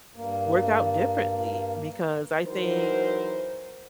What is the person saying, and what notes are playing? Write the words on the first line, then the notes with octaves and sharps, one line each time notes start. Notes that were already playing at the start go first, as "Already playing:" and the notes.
work out differently. Because I think
G2 A#3
E3 F#3 D#4 A#4 C5